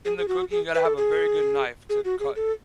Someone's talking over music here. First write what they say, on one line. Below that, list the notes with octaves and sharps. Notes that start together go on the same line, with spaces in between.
in the cooking, you gotta have a very good knife to cut.
G#4
G#4
F#4
G#4
B4
A4
G#4
G#4
F#4
G#4
A4